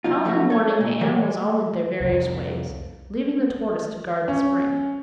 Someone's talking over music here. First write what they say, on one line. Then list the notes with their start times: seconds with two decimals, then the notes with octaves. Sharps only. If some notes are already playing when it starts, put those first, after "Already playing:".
The following morning the animals all went their various ways, leaving the tortoise to guard the spring.
0.04 F#3 D#4 F4
0.25 F3 F#3 A3 C#4 F#4
0.50 A4 C#5
0.81 A#2
1.01 E3 F#3 G3 F#4 A#4 C#5
2.00 C2 F2
4.28 C#4